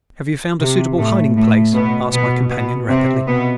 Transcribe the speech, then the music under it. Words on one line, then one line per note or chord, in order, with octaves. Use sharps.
"Have you found a suitable hiding-place?" asked my companion rapidly.
C3
A2 A3
A2 A3
B2 B3
B2 B3
B2 B3
C3 C4
B2 B3